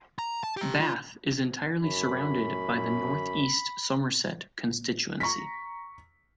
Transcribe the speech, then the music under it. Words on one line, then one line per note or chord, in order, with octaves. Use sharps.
Bath is entirely surrounded by the North East Somerset constituency.
A#5
A5
G4 A#5
F4
F#2 B5
A#5 C#6 A#6 B6